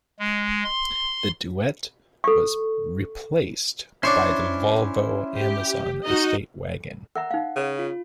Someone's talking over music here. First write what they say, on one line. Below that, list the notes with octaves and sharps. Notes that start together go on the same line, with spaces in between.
The Duett was replaced by the Volvo Amazon estate wagon.
G#3
C6
A4 C#6
C#4 D4 E4 C5 C#5 C6
G4
D#4 F#4 D#5
A#4 E5 F#5 A#5
D#4 F5
C#3
F4